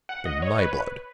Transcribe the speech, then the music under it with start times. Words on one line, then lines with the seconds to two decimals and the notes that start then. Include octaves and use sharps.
In my blood!
0.09 F#5
0.25 D#5
0.42 C#5
0.58 B4